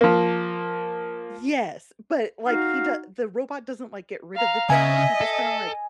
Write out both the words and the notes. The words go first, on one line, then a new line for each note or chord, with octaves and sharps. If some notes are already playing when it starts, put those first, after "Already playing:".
Yes, but like he doe the robot doesn't like get rid of the dad, he just kind of like
F3 A#3
D#4 F#4 F5
F5 A#5
C#3 D#5 E5 G#5
A4